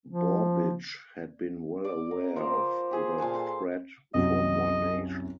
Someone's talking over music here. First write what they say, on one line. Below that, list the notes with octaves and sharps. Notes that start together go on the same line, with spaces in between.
Borbidge had been well aware of the threat from One Nation.
F3
D5
A#4
F3 A#4 C5
G4 G#4 C5
A#2 G#5 A5 C6
A4 C5
C2 F#2 F#3 D#5